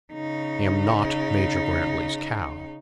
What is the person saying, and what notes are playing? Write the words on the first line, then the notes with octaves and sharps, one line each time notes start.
"I am not Major Grantly's cow."
C#3 D#4